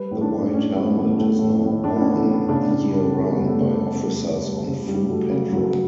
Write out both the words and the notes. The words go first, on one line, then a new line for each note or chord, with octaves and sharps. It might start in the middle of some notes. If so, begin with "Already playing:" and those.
The white helmet is now worn year round by officers on foot patrol.
Already playing: G3 B4
A2
D4
A2
D4
A2 C#4
G3 B3
A2 A3
A2 A3
A2 A3
A2
A2 D4
B3
C#4
E3
A3
A2
B3
C#3 D4
C#3
G3
C#3 B3
B3
G3
A3
C#3
B3
G3
G3
C#3
G3
C#3
G3
F#3 A3
C#3
F#3